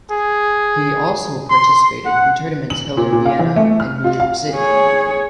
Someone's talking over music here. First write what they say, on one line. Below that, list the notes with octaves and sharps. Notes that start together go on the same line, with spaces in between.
He also participated in tournaments held in Vienna and New York City.
G#4
C6
F#5
F#7
A#2
A#2
F5
E3
A3
F6
F4
F5
G#4 C#5